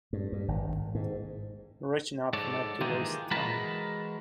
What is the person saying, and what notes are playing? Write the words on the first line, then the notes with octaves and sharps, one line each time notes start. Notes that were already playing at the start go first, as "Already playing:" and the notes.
Rich enough not to waste time.
G2
G2
G#1
G#2
G#2 A4 C#5 D5
D#3 E3 A#3 F4 G4 G#4
E3 G#3 F#4 A#4 A5 B5